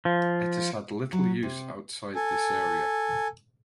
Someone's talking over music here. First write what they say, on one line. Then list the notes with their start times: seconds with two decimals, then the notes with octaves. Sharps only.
It has had little use outside this area.
0.05 F3
1.13 F#3
1.43 C3
2.16 A4 G#5